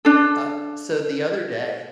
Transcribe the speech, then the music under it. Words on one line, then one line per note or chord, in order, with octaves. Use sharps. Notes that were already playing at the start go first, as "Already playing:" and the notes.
Uh, so the other day,
D4 A4